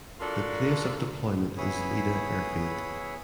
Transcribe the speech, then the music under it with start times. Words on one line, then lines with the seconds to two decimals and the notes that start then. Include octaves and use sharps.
The place of deployment is Lida Airfield.
0.20 D4 F4 F#4 A4 A#4 D5
1.58 B3 E4 G#4 C#5 B5 D#6